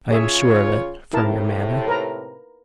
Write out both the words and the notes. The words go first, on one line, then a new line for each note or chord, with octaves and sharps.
I am sure of it, from your manner.
C#3 F4 G#4 C#5 E5
A2 C3 E4 A#4 A5
A#4 B4 A#5